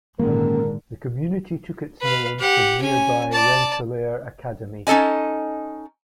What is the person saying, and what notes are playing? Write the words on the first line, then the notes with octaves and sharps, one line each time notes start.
The community took its name from nearby Rensselaer Academy.
G#1 A#2 D3 D#3 G#3 A#3 C#4 A#4
B4 F5
G4 F#5
C#4 G#5
D5 A5
C#4 D#4 A4 D#5 G#5